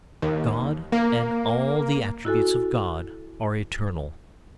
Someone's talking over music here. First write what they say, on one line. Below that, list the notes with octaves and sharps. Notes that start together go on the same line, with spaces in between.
God, and all the attributes of God, are eternal.
D#2
A#3
E4 F#4 A4 G#5